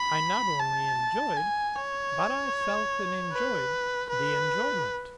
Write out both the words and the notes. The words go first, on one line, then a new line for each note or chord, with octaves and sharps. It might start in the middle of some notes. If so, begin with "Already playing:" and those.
I not only enjoyed, but I felt and enjoyed the enjoyment.
Already playing: B5
A5
G#5
C#5
B4
B4